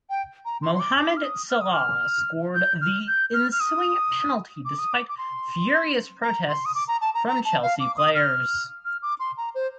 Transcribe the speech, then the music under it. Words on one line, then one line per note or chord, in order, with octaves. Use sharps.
Mohammed Salah scored the ensuing penalty despite furious protests from Chelsea players.
G5
A#5
C6
C6
D6
D6
F6
D#6
F6
D#6
F6
G6
F6
G6
F6
F6
D#6
D6
D#6
D6
D6
C6
A#5
C6
D#6
D6
A#5
A5
A#5
A#5
A5
F5
D6
D#6
F6
F6
D6
C6
A#5
C5